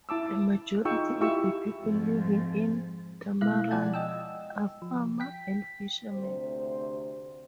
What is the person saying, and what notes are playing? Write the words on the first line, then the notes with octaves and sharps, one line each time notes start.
The majority of the people living in Dumaran are farmer and fisherman.
E4 A5 D6 E6
D#4 F4 G#4 G5 C#6 E6
E4 F4 G4 C#6 E6
F2 G#2
B2 G#3 E4 F5 F#6
B2 F3 D5 F#5 G#5 A5
D#5 G5 E6
F3
G5 B6
D2 C3 C5